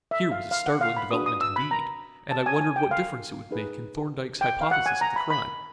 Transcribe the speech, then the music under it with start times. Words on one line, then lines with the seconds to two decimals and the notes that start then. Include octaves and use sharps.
Here was a startling development, indeed, and I wondered what difference it would make in Thorndyke's hypothesis of the crime.
0.11 E5
0.32 F5
0.51 F5
0.66 F#5
0.81 F5
0.97 B5
1.11 D4 F#4 B4 D#6
1.26 D#6
1.41 E6
1.56 B5
1.71 A#5
2.31 A5
2.46 G#5
2.61 G#5
2.76 G5
2.91 F5
3.51 D#4 G#4 B4
4.41 G5
4.61 F5
4.71 F#5
4.86 G#5
5.01 A#5
5.16 B5
5.30 B5